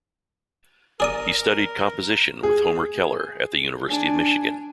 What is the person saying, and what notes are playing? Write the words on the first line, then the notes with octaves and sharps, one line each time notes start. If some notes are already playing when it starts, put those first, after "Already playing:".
He studied composition with Homer Keller at the University of Michigan.
G#4 A#4 D5 D#6
G#4
D4 G#5